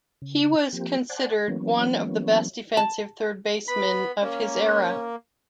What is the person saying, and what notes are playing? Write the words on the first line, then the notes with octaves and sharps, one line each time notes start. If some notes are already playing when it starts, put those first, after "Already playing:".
He was considered one of the best defensive third basemen of his era.
C#3
F3 A#3 C4 G4
C5 D5 F#5 G#5 A5
E3 F#3 A#3 B3 C#4
A5
B3 B5
A#3 C#4